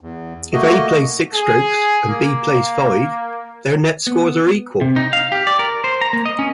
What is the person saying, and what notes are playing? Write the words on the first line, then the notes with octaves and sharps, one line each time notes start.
If A plays six strokes and B plays five, their "net" scores are equal.
E2
A3 A#3 F#4 D#5
G#4
A#3
B3
C3
D#4
F5
G4
D5
A#4
C5
A#5
A#3
D#5
C#4